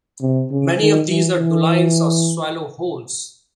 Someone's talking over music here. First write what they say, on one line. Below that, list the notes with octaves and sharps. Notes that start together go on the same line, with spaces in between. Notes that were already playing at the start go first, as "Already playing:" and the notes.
Many of these are dolines or swallow holes.
C3
C#3
D#3
E3
E3